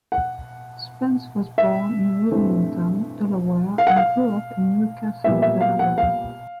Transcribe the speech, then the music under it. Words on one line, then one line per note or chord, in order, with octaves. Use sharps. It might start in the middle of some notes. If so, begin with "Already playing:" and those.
Spence was born in Wilmington, Delaware and grew up in New Castle, Delaware.
F#5
E5
G2 E3 A3 C4
F5
F#5
F5
A#2 G3 B3 E5
E5
F5
F#5
F5